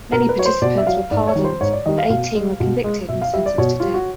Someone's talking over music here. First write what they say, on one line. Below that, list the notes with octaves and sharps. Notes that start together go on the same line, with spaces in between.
Many participants were pardoned, but eighteen were convicted and sentenced to death.
B2 A#4
B4
F#3 C#5
C5
B2 D5
E5
F#3 F5
G#2 D5
C#5
D#3 G3
C5
G#2 C#5
D5
D#3 G3 D#5
F5
B2 F5
G#3
B2
G#3
B2 E5
F5
G3 E5
D5
B2 C#5
G3 F4
F#4